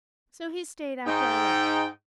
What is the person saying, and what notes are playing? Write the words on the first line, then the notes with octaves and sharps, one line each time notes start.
So he stayed after I left.
G#2 D#4 G5